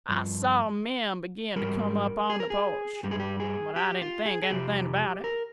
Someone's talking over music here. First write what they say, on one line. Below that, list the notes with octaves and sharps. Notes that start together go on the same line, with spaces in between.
I saw men begin to come upon the porch, but I didn't think anything about it.
G2 F3
G#2 D#3 G3 A#4
G#4
A#4
G#4
G2 G3 G4
G#4
G4
G#4
G4
F4
G#4
G#4
F2 C3 F3 G4
A#4